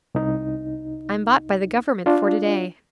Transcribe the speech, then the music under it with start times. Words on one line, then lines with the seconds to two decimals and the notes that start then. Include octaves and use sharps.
"I'm bought by the government for to-day."
0.15 C2 D#4
2.06 D4 F4